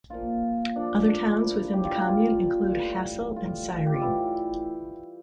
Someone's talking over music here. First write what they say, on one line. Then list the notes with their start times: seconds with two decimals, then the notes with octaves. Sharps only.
Other towns within the commune include Hassel and Syren.
0.10 A#2 F3 A#3 F4
0.75 A#2 F3 A#3 D4
1.08 D4
1.41 A#2 F3 A#3 E4
1.73 G4
1.85 F4
1.96 E4
2.06 A#2 F3 A#3 F4
2.71 A2 E3 G3
3.36 A2 E3 G3 F4
3.86 G4
3.94 F4
4.02 A2 E3 G3 E4